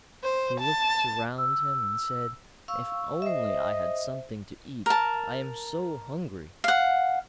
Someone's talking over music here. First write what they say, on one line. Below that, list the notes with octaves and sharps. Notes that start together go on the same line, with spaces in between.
He looked around him and said: 'If only I had something to eat; I am so hungry.
C5
A5
E6
F5 C#6 E6
C5 D#5 E5
A#4 A5
F5 F#5